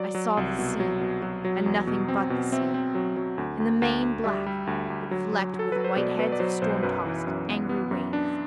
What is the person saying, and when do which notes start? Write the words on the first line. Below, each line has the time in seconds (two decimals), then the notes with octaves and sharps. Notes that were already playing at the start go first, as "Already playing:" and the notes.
I saw the sea, and nothing but the sea; in the main black, but flecked with white heads of storm-tossed, angry waves.
Already playing: F#3 D5
0.15 F#3
0.37 C2
0.59 B2
0.80 F#3
1.01 B2
1.22 F#3
1.45 F#3
1.66 E2
1.87 B2
2.08 C4
2.30 B2
2.52 C4 E5
2.74 C4
2.95 F#3
3.17 F#3
3.38 D2
3.60 D2
3.82 D2
4.02 D2
4.24 G3 E5
4.46 G3
4.67 D2
4.90 D2
5.11 F#3
5.33 F#3
5.54 F#3
5.59 A4
5.72 F#3 B4
5.84 C5
5.96 B2 D5
6.19 B2 B4
6.32 D5
6.39 F#3 C5
6.62 B1 C5
6.83 F#2 B4
7.05 E3
7.27 F#2
7.48 B3
7.69 B3
7.91 F#2
8.13 D4